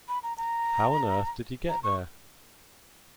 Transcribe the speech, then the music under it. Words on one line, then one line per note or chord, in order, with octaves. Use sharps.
How on earth did he get there?
B5
A#5
A#5
A#5
C#6